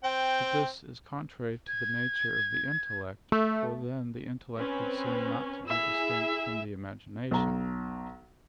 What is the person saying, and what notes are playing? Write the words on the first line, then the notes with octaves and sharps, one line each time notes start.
But this is contrary to the nature of the intellect; for then the intellect would seem not to be distinct from the imagination.
C4 G5
G#6
A3
C4 C#4 B4
E4 G#4 E5
B1 A#5